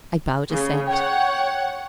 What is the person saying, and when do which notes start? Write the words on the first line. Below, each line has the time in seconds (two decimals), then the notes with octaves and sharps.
I bowed assent.
0.52 C#3
0.88 C#5 F#5 G5